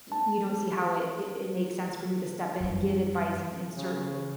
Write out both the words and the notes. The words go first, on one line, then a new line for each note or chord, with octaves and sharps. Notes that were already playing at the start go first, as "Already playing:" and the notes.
y you don't see how it it it makes sense for you to step in and give advice in in certain
A5
F#2 G3
C#3